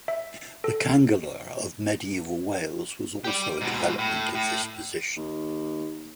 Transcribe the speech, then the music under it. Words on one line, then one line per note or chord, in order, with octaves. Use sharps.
The canghellor of Medieval Wales was also a development of this position.
E5
A4
G4 D5
G#2 B2
A2
A2
D#2